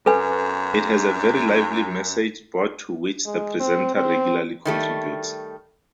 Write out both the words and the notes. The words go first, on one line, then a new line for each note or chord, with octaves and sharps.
It has a very lively message board to which the presenter regularly contributes.
F#2 A4 B4 G#5
G#3
C4
C4
D#3 G3 A3